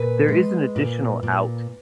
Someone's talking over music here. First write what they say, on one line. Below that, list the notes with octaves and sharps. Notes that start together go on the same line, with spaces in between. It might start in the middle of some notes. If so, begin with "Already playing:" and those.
There is an additional out
Already playing: A#2 B4
G#3
A#2
A#2